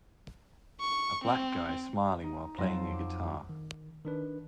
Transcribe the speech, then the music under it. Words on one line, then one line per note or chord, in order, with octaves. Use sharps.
A Black guy smiling while playing a guitar.
C#6
C4
D#4
F2 F#3 A5 C6 A#6
D6
D#3
D#3 D4 B4